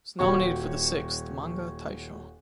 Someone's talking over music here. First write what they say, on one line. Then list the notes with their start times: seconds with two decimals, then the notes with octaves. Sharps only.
It was nominated for the sixth "Manga Taisho".
0.19 D#1 F#4 C#5 C#6